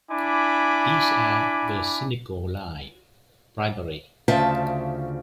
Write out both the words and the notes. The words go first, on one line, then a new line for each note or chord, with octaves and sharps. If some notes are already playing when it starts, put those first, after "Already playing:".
These are the cynical lie, bribery.
D4 E4 G#5 B5 D6
D2 C#3 F4 C5 E5 A5